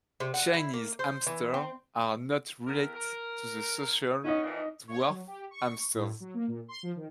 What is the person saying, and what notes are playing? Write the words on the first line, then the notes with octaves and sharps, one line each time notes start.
Chinese hamsters are not related to the social "dwarf" hamsters.
C3
F#5
E4
A#3
C5
E3
C4
E2 A#4
A#4
B3 C#4 D#4 D#5
F2 A#2 E3
C#5
F#3
G4
C#6
A2
F#3
A#3
A#2
C6
F3
D#3